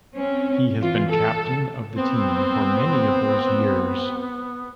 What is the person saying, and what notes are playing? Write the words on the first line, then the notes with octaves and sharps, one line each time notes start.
He has been captain of the team for many of those years.
C4 C#4
E3 F4
A4
B3 C4